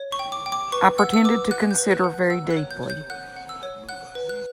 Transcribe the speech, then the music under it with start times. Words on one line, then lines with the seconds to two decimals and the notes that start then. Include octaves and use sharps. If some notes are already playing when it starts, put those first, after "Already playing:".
I pretended to consider very deeply.
Already playing: C#5
0.12 C#6
0.19 G5
0.32 D6
0.46 G5
0.52 D6
0.72 B4 C#6
0.98 F#5 E6
1.14 E6
1.24 B4 D6
1.51 F#5 F#6
1.71 G6
1.78 B4
1.91 F#6
2.04 F#5
2.30 F#5 E6
2.50 F#6
2.57 C#5
2.71 G6
2.83 C#5
2.90 G6
3.10 F#5 F#6
3.36 F#5
3.49 E6
3.63 C#5
3.89 F#5 F#6
4.15 B4
4.29 F#6